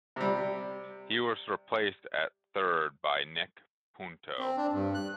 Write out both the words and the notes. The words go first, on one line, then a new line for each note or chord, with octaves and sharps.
He was replaced at third by Nick Punto.
C3 G3
C4
D4
G2
F#6